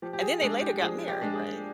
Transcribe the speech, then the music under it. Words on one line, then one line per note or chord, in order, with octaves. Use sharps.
And then they later got married, right?
F3 G4
G4
G#4
G#3 D4 G#4
G4
F3 G#4
G4
G#3 D4
G#4